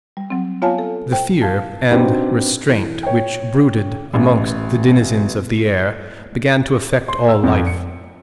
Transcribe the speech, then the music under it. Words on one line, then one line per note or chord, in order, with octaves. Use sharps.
The fear and restraint which brooded amongst the denizens of the air began to affect all life.
G3
F#3 C4
B3 F4 C#5 F5 G#5 A5
A4
C5 G5
F5 A5
C4 D4 D#4 F#4 G4 B4
E3
C#5 G5
A1
C6
E6
F2
C#7